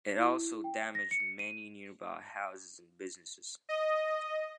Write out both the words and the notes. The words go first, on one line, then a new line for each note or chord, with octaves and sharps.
It also damaged many nearby houses and businesses.
E4
G5
A#6
C#7
D#7
D#5